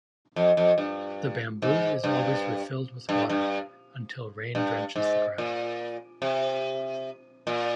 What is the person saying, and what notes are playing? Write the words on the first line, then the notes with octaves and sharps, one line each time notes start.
The bamboo is always refilled with water until rain drenches the ground.
F2
F2
G2
G#2
G2
G2
G2
G2
G#2
A#2
C3
A#2